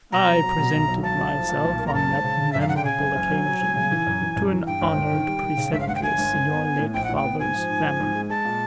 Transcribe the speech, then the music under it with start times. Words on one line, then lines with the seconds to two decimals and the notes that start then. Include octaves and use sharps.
I presented myself on that memorable occasion to an honored preceptress in your late father's family.
0.12 B2 A#5
0.27 F#3
0.43 F#3
0.58 B2
0.73 B1
0.88 F#3
1.03 B1 A5
1.19 B1
1.34 F3
1.49 A#2
1.64 B1
1.79 A#3
1.87 A#5
1.94 F#2 A5
2.09 G#1
2.24 C#3
2.40 C#3
2.53 F#2 E5
2.61 F5
2.69 C#3 F#5
2.77 G5
2.85 C#3 G#5
3.00 F#1
3.15 F#1
3.30 F#3
3.46 F#3
3.61 F#3
3.76 C#3
3.91 E3
4.06 F#2
4.21 E3
4.36 F#2
4.52 E3
4.67 G2 G5
4.82 G1
4.97 G1
5.12 D#3
5.27 G3
5.43 D#3
5.57 C#3
5.73 G1 E5
5.80 F5
5.88 G1 F#5
5.95 G5
6.02 G1 G#5
6.18 G1
6.34 G1
6.48 B3
6.63 B3
6.78 A2
6.94 A#1 G5
7.05 A2 F#5
7.16 G5
7.24 B3
7.39 G#2 G#5
7.54 F3
7.70 G#2
7.84 F3
8.00 G#2
8.15 G#3
8.30 G#3 A5
8.45 A#2